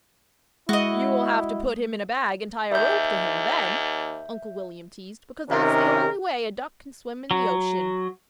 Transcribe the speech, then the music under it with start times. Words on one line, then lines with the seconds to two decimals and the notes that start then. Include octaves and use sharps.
"You will have to put him in a bag and tie a rope to him then," Uncle William teased, "because that's the only way a duck can swim in the ocean."
0.69 G#3 E4 F#4 D#5
2.72 D#2 E5 G6
5.49 C3 D#3 C#4 D#4 A#4
7.31 F#3